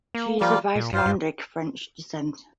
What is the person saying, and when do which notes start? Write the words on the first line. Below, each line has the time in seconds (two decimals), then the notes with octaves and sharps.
She is of Icelandic-French descent.
0.15 A#3
0.40 F3 G3 A#3 F4
0.76 A#2
0.93 G2 F4 C5 F5
1.06 G2